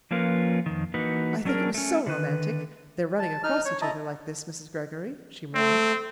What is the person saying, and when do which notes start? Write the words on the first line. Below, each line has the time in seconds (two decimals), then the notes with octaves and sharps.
"I think it was so romantic--their running across each other like this, Mrs. Greggory," she murmured.
0.11 F3 A#3 C#4 F4 A#4 B4
0.66 F2 D#3
0.94 E3 A#3 D#4 F#4 B4
1.45 F#3 C#4 D4 G#4 A#4
1.74 A3 C#4
2.07 D3 D#3 B4
3.19 A5
3.43 D#4 F6
3.65 C#5
3.82 E4 D#5 A5 A#5
5.55 A3 C4